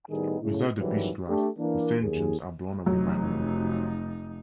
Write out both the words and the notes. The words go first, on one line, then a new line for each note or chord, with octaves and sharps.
Without the beachgrass, the sand dunes are blown away by wind.
A2 D#3 G3 B3 D#4 G#4
A2 C#3
A1 G#2 D#3 E3 F#3 G3
A3 D4 G4
E3 A#3 D4
D#2 G#4
F1 F#3 D#4